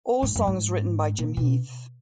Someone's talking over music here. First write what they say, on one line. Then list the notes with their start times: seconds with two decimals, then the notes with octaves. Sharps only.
All songs written by Jim Heath.
0.22 G#2
0.36 F#2
0.47 G#2
1.18 A#2
1.37 B2